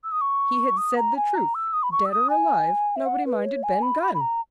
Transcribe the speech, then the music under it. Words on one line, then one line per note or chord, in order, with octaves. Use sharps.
He had said the truth: dead or alive, nobody minded Ben Gunn.
E6
D#6
C#6
D#6
A#5
G#5
A#5
E6
D#6
B5
C#6
E6
D#6
G#5
E5
F#5
B4
C#5
G#5
B5
B5
B5
A#5